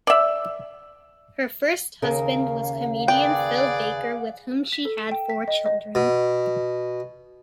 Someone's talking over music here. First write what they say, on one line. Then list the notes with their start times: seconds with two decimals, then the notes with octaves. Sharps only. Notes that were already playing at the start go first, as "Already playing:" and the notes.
Her first husband was comedian Phil Baker with whom she had four children.
0.07 D5 E5
2.02 D#2 C#3 A#4 F5
3.08 G#4 B4 D5 G5
4.73 B6
4.85 A4
4.98 E7
5.12 G5
5.30 B6
5.48 D#5
5.66 D#5
5.95 B2